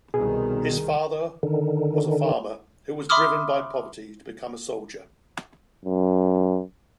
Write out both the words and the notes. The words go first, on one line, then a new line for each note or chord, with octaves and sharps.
His father was a farmer who was driven by poverty to become a soldier.
C2 B2 D#3 G#4
D3 D#3
E5 B5 C6 D6 D#6 F6
F#2